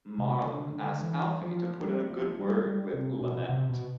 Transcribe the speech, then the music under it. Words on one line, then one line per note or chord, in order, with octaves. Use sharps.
Marlon asks Alfie to put in a good word with Lonette.
C3
D3
D3
E3
F3
G3
F3
G3
G3
C3
B2
C3
B2